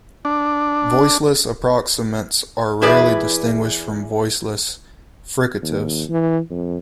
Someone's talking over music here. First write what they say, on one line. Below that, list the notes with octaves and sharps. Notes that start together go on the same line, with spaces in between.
Voiceless approximants are rarely distinguished from voiceless fricatives.
D4
E2 E4 G#4 B4 D5
D#2
E3
F2